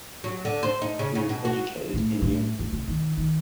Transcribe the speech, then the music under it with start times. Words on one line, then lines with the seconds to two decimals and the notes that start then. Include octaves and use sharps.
He was educated in Lyon.
0.24 F#3
0.45 D3
0.63 C5
0.82 D#4
0.99 C#3
1.15 C#3
1.29 B2
1.45 F#4
1.94 A2
2.22 A2
2.59 F#2
2.72 C3
2.88 D#3
3.17 D#3